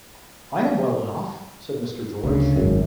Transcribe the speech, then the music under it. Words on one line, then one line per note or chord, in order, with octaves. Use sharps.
"I am well enough," says Mr. George.
D2 C#3
G#1 F#2